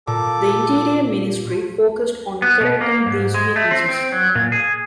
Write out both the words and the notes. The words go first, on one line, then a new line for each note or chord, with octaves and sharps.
The Interior Ministry focused on correcting these weaknesses.
A#2 A4 D6
B3
B2
A#3
G#2
G#3
A3
C4
C4
F#3
A#2
G#4